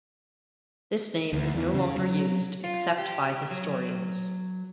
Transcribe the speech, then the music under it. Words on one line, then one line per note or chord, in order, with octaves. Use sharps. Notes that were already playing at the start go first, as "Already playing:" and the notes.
This name is no longer used except by historians.
D2
E2
C#3
F#3
F4
G4
F#3